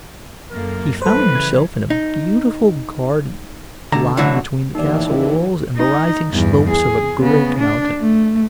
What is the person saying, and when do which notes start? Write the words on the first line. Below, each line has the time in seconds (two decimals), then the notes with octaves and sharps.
He found himself in a beautiful garden, lying between the castle walls and the rising slopes of a great mountain.
0.51 F#2 A#3 A4 A#4
1.02 E3 F3 G3 A4 B4 C5
1.35 C#3 G#6
1.90 D#4
3.92 D2 D3 A#5
4.17 C2 A2 D3 E3 F#3 F#4
4.75 D#2 A2 E3 D#4 D5
5.77 D#4
6.29 E2 G2
6.70 G#4
7.19 C#3 B3
7.59 D4
8.01 A3